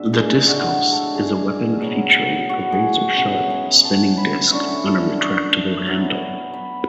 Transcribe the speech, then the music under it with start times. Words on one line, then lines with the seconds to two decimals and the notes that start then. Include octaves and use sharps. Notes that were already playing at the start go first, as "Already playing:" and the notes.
The diskos is a weapon featuring a razor-sharp spinning disk on a retractable handle.
Already playing: B2 G#3 D4 E5
0.13 G#4
0.47 A2 G#3 D4 F#4
0.92 A4
1.14 G#4
1.82 B2 F#3 B3
2.49 F#4
2.72 G#4
3.16 B2 F#3 C#4 E4 F#5
3.50 G#5
3.85 A5
4.17 B5
4.51 D3 A3 C#4 E4 C#6
4.68 C#6
4.86 A5
5.19 C#6
5.86 F#3 B3 E4
6.54 B5